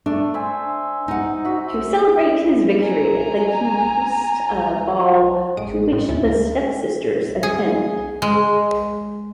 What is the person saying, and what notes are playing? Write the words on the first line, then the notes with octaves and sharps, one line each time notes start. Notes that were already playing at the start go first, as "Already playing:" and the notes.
To celebrate his victory, the king hosts a ball to which the stepsisters attend.
A3 D4
C5 E5 G#5
D#4 F#5
F#4 E5
G#5 A#5
A1 G#3 D#6 D7 D#7
A2 C#3 G#3 C4
D2 C#4 E4 A6
G#3 A#4
G#4
G#3